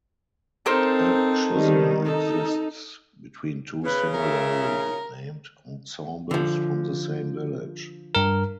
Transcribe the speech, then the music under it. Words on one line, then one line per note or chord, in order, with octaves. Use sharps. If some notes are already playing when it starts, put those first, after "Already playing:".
A schism exists between two similarly-named ensembles from the same village.
C4 D#4 A4 A#4 C5
D#3 G3
D#4 A4
C#3 B4
A#4 E5
D3 F3
G2 A#4